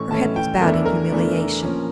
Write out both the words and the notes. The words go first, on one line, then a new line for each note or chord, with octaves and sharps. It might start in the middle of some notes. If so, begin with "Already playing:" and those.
Her head was bowed in humiliation.
Already playing: A2 E3 A3 C#4 C#6
A2 E3 A3 C#4 A5
G5
E2 E3 A3 D4 A#4
A4
A#4
E2 E3 A3 D4
A#2 F3 C#4